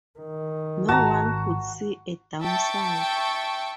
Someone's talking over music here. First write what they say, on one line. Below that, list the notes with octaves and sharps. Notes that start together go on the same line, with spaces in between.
No one could see a downside.
D#3
G#1 F#4 A5 A#5
E5 G5 A5 C#6